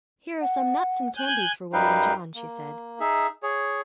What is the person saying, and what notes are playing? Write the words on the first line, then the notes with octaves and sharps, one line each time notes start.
"Here are some nuts and candies for William John," she said.
F#5
G#5 F#6 G6
F#2 G3 D#4 B4 F5 G5
A#3
D#4 G#4 E5
G#4 C#5